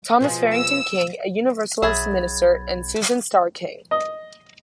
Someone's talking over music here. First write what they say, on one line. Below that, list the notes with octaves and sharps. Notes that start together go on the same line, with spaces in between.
Thomas Farrington King, a Universalist minister, and Susan Starr King.
B2 F3 G#4
E6
B1 F#3 G#4 E5 B5 G#6 A6
D#5